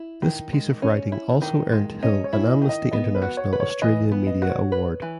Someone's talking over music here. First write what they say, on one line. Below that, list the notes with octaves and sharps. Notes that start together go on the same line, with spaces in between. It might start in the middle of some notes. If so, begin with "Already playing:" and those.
This piece of writing also earnt Hill an Amnesty International Australia Media Award.
Already playing: E4
D#3
G#3
C#4
E4
D#3
G#3
C#4 D#5
C#5
E4
D#5
D#3
D#5
B3 D#5
B4
F#4
C#5
B4
C#5
E3 D#5
B3
D#5
F#4
C#5
B4
E3